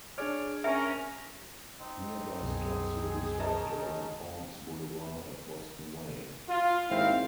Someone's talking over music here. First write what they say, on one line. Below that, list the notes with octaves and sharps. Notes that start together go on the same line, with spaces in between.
Nearby stops will be served along Forbes Boulevard at Boston Way.
D4 G#4 C#5 D5 F6
C#4 A#4 E5 G5 A#5
C4 D#4
C2 F#2 B2 G#4
F#3 C#4 D#4 D#5 A5 A#5
F4
G#1 D#2 C4 E4 F5